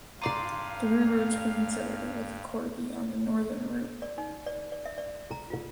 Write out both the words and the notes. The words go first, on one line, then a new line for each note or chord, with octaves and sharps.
Three routes were considered, with Corby on the northern route.
G2 F4 D5 F5 A#5 C6 D#7
D5
D#4
D5
D5
E5
D5
A#5
F4